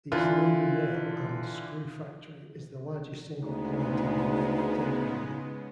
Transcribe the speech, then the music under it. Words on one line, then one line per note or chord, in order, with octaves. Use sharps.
The Saliba Nail and Screw factory is the largest single plant in Bteghrine.
D3 E3 F4
D2 C#3 G#3 B3 D#4